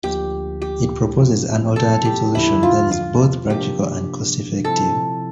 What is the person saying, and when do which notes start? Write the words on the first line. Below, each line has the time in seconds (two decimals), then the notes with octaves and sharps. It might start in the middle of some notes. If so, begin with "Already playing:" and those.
It proposes an alternative solution that is both practical and cost effective.
0.04 D2 D3 F3 A#3 F4 G4
0.62 G4
1.19 G2 F3 C4 F4
1.76 A4
2.05 G4
2.34 E2 D3 F3 E4
2.63 F4
2.91 F4
3.49 C3 F3 A#3 D4 G4
4.65 C3 F3 C4 E4 A4